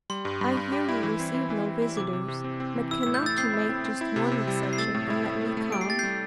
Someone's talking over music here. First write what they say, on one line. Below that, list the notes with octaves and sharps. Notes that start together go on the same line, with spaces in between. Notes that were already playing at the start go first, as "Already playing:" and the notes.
I hear you receive no visitors; but cannot you make just one exception, and let me come?
G3 C6
G2
G2
G2
G4
E4
E3
C4
E3
E3
E3
E4
C3 D6
C3
C3
C4
C4
E3
E4 E6
A2 E6
G6
A2 E6 A6
C4 G6 C7
E4
C4
C4
E4
C3
C3
G3
C4
C7
A3 E6 A6
A2
E4
E4
A3
A3
G4 D7
C7
G4 A6
G3 G6 C7